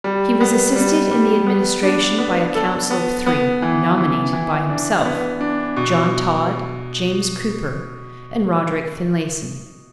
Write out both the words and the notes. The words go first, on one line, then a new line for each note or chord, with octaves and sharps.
He was assisted in the administration by a council of three, nominated by himself--John Tod, James Cooper, and Roderick Finlayson.
G3
B3
G3
G3
B3
D4
B3
A4
B3
B3
E3
E3
E3
D4
B3
D4
B2